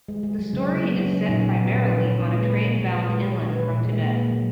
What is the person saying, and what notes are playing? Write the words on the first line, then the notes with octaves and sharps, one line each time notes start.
The story is set primarily on a train bound inland from Tibet.
G#3
G#3
F#3
C#3
F#3
A#3 B3
C#3
C#4
F#3
A#2 D#4
A#2 D#4
A#2 B3
A#2 B3
C#4
F3
B4
A#2 C#5
A#2 C#5
G#3
B4
G#3
G#3 C#5
A#2
A#2
G#3 B4
A#2
C#5
G#3
G#3 B4
A#2
G#3
A#3
A#3
F#3